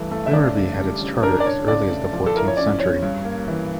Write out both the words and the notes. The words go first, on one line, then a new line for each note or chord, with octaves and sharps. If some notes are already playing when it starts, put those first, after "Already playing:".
Vimmerby had its charter as early as the fourteenth century.
Already playing: G2 E3 A3
A3
E5
C#3 D5
D4
G3
C#3
D4 A#4
D5
D4 C#5
C#3 D5
A3
F3
A4
E4 A#4
C#5
C#4 D5
C#4 C#5
G2
A#3
E3